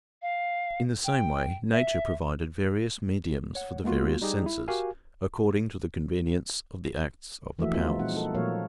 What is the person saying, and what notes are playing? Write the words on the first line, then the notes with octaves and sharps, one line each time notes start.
In the same way nature provided various mediums for the various senses, according to the convenience of the acts of the powers.
F5
G5
E5
C#5 F#5
G#3 A#3 B3 F4 F#4
G3 D#4 G4 G#4
E4
F#4 G4 A#4 F5 G#5
E3 F3 A3 A#3 F#4 E5
G#3 A#3 C4 D#4 F4 F#4
A#2 G3 C4 D#4 F#5
D#4 A4
A#2 F3 F#3 A#3 C#5 F5